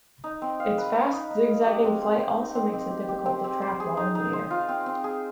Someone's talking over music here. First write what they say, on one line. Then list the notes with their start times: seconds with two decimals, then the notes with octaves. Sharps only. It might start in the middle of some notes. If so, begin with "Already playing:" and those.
Its fast, zig-zagging flight also makes it difficult to track while in the air.
0.24 D#4
0.42 C4
0.60 F5
0.78 B4
0.95 B4
1.13 D#4
1.30 D#4
1.49 F5
1.67 G4
1.84 C4
2.01 C4
2.19 C5
2.37 D#4
2.55 C4
2.73 C4
2.91 G4
3.08 G4
3.26 C4
3.44 C4
3.62 C5
3.80 G#4
3.97 D#4
4.15 D#4
4.33 C5
4.50 F4
4.68 C4
4.86 C4
5.04 G#4